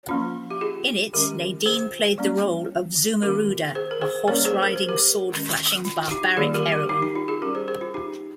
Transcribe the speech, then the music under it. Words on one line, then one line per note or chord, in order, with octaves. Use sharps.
In it, Nadine played the role of Zumuruda, a horse-riding, sword-flashing barbaric heroin.
F3 A#3 C#4 F4
G4
F4 G#4
D#3 G#3 C#4 G4 A#4
G#4 C5
G3 A#3 C#4
D#3 A#3 C#4 G4 A#4
G#4 C5
A#4
G#4 C5
G3 A#3 C#4 A#4 C#5
G#4 C5
A#4
C5
G4 A#4
D#3 G#3 C#4
F4
D#4 G4
D#3 G3 A#3 F4 G#4
G4 A#4
G4 A#4
D#4 G4
D#4
F4
F4 G#4
G3 C#4 G4 A#4
G#4 C5
G#4 C5
F4
D#4 G4